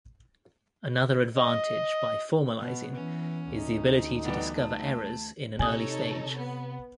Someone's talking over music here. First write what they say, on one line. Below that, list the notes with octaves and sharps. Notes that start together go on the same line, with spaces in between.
Another advantage by formalizing is the ability to discover errors in an early stage.
D#5
B2 B3
E3 C#4
D2 D#4
E3 G3 B3 F#5
A3 A5
C3 D#4 A4 C#5 G#5 D#6
B3